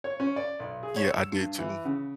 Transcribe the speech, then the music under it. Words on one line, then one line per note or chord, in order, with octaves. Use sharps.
Yeah, I did too.
C#5
C#4
D5
B1
G#4
C#5
E6
G2
E3
C#3